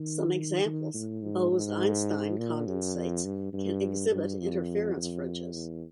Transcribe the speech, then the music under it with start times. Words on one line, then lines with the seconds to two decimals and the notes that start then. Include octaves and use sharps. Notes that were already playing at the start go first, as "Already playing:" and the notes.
Some examples: Bose-Einstein condensates can exhibit interference fringes.
Already playing: D#3
0.65 D#3
0.94 A2
1.22 G#2
1.51 G#2
2.38 A#2
2.67 F#2
2.95 F2
3.24 G2
3.53 G2
4.10 G2
4.39 F2
4.96 F2
5.53 E2